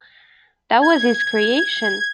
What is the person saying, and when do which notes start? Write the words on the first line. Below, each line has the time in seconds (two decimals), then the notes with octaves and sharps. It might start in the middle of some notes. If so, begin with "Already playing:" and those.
That was his creation.
0.82 G#6